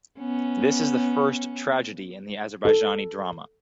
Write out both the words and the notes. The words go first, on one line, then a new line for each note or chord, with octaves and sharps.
This is the first tragedy in the Azerbaijani drama.
B3 C#4
A4